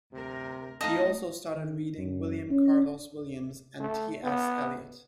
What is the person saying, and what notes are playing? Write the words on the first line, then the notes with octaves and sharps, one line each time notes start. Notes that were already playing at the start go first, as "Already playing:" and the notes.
He also started reading William Carlos Williams and T. S. Eliot.
D2 C3 A#4
F2 A3 D#4 F4 A4 D#5
D#3
F#2
C#4
A3
B3